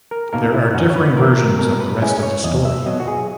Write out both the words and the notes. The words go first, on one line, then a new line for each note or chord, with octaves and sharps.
There are differing versions of the rest of the story.
A#4
B2 A#3 D#4 A#4
E4
F#2 F#4
C#5
B4
E3 B3 E4 A#4
A#4
B2 A#4
B4
G#3 C#4 E4
C#5
E2 D#5
E5
B2 F#3 D#5
F#4
G#4